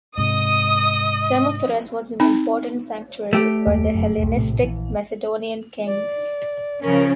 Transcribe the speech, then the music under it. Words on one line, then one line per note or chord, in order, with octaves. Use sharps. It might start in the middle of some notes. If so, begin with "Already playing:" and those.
Samothrace was an important sanctuary for the Hellenistic Macedonian kings.
G#2 C3 D#5 D#6
C4 D#4 B5
A3 G4
F#1 D#2 A#3
F1 F#2
E1 B1
A#1 A2 C3
A#1 E3
D5
C#3 F3 C#4 A#4